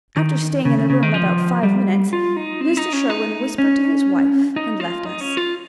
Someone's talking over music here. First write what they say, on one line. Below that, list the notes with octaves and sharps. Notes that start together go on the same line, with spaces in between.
After staying in the room about five minutes, Mr. Sherwin whispered to his wife, and left us.
D#3
C#3
C#3
C#3
D#3
F3
G3
F4
D#4
C4
D#4
C#4
D#4
C#4
D#4
F4
D#4
C#4
F4